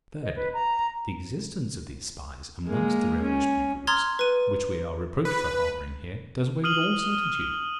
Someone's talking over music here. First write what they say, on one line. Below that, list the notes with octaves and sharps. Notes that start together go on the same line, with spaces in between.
Thirdly, the existence of these spies amongst the revolutionary groups, which we are reproached for harbouring here, does away with all certitude.
D#5
B4
A#5
G#3 A#3
C#4
A#5 C6 D#6 F6 G#6 A6
B4 D#7
B4
D#6 F6 D#7 F#7 G7